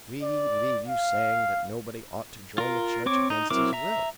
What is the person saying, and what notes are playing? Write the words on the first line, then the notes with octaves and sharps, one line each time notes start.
We leave you saying that nobody ought to join the Church against his will.
D5
F5
F4 A#4
C4 C#5 D6
D#4
F#3 C4 E4 A#4 D6
E5 A#5